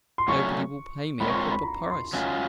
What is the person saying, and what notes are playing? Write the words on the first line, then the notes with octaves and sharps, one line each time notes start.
"Nobody will pay me a proper price."
C6
A#2 F#3 A3 C#4 C#6
G#3 C4 F4 A#4 C#5 B5
C#6
C6
B5
A#5
B5
C6
F#3 A3 C#4 F4